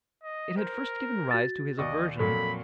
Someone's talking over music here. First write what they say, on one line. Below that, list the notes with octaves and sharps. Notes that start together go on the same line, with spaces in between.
It had first given rise to his aversion.
D#5
A#4 C5
F#4 A6
D#2 D5 D#5 C#6
F2 A#2 F#3 A4 B5